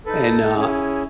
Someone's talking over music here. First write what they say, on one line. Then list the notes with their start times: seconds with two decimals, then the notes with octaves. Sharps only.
and, uh,
0.06 D#4 A4 B4
0.54 C#4 E4 G#4